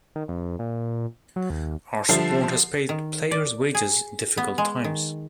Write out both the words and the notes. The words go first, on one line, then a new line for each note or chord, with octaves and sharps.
Our support has paid players' wages in difficult times.
D#3
F2
A#2
F#3
D#2
D3 F3 G3 E5 A5 C7
D#3
D5
G#4
B3
G#3
D#3